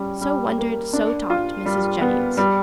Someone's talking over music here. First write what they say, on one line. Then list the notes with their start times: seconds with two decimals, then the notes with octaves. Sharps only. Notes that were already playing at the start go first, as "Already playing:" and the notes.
So wondered, so talked Mrs. Jennings.
Already playing: G3 C#4
0.21 G3
0.58 A#3
0.93 D4
1.30 F4
1.65 G3
2.01 B3
2.37 G3